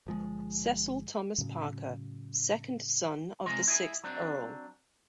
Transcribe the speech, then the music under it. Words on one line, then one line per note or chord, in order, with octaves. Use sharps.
Cecil Thomas Parker, second son of the sixth Earl.
G1 F3 G#3
A2 C#3 F#3
C3 E3 G#3 F4 D#5 C6
E4 G#4 D#5
F#3 C4 D4